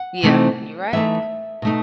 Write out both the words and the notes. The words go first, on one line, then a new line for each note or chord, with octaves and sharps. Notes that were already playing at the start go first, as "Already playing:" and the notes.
Yeah. You're right.
Already playing: F#5
C3 E3 A3 C4 D#4
E3 A3 D#4 E5
B2 A3 D#4